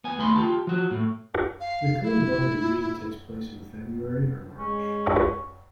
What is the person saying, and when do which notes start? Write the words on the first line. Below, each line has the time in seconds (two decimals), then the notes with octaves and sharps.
The Kuomboka usually takes place in February or March.
0.04 B3 G#5
0.18 D#2 A3 B3 B5 C6
0.36 F4 G4 A5
0.67 F3 F#4
0.91 A2 A3
1.60 F5
2.02 E4
4.59 G#3 C#4